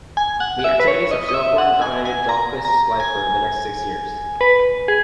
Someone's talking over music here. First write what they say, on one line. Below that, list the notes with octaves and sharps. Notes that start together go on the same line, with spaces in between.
The activities of Silkworm dominated Dahlquist's life for the next six years.
G#5
F#5
F#5
E5
B4
C#5
D#5
D#5
E5
F#5
G#5
G#5
A#5
A#5
G#5
B4
G#4